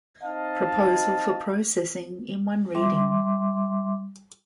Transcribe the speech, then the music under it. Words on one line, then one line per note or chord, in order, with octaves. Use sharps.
Proposal for processing in one reading.
C4 D#4 D#5 F5 A5
G3 E5 C6 D6